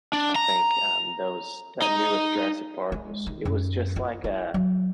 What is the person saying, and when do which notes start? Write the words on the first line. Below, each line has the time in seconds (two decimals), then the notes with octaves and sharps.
I think, um, those that newest Jurassic Park, was it was just like a
0.13 D4
0.36 A#5
1.82 D#4
2.92 G#3
3.27 D#3
3.45 F#2
3.96 F4
4.24 E4
4.54 F#3